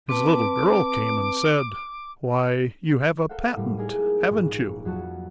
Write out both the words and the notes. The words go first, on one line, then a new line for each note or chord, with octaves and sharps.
His little girl came and said, "Why, you have a patent, haven't you?"
C4 B4 A5 D6
A4 A#4 C5 F5 F#5
A2 G3
A#3 D#4 E4 G#4 A#4
A#1 G#2
F2 F#3 A#3 F#4 B4 A5